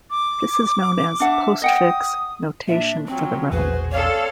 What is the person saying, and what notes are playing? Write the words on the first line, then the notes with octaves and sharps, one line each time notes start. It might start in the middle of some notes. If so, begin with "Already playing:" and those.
This is known as "postfix" notation for the realm.
D6
D4 E5 F#5
D#5 F#5 G5 D#6
A#2 D4 E5
F3 F#3 C4
E1 A#1 E2 F#4 G#4 B4 C5
C4 A4 C#5 D5 F5